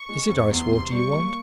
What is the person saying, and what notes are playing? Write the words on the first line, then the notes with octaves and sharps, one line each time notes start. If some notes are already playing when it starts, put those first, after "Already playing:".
"Is it ice-water you want?"
Already playing: C#6
G#3
F2
E2 C6
C3
G3 C#6
A#3